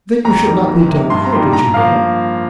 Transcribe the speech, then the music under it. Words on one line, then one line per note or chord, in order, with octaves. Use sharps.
'Then you should not be downhearted, you know.'
F2 A#5
D#3 G3 A#3
F2
C3 D#3 A#3
G2 C6
A#5
D#3 G3 A#3 C6
G2 A#5
F3 A#3 F5